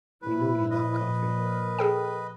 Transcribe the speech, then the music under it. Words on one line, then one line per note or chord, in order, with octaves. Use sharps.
We know you love coffee.
A#2 F3 E4 B4
B4 D#5
A#4
G#4 A4 G5